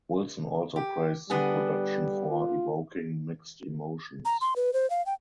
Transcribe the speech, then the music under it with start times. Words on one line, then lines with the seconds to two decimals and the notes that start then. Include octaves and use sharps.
Wilson also praised the production for evoking "mixed emotions".
0.76 G4
1.30 D3 G3 B3 G#4
2.31 F4
4.25 A#5
4.41 C6
4.56 B4
4.73 C5
4.90 F5
5.06 G5